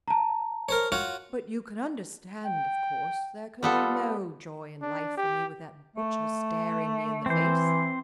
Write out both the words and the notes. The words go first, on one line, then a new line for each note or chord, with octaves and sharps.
"But you can understand, of course, there can be no joy in life for me with that butcher staring me in the face."
A5 A#5
A#4 C5 C#5
F4 F#4 C#5
G5
G3 B3 F4 A4
D4
G4
A3
E3 C4 C5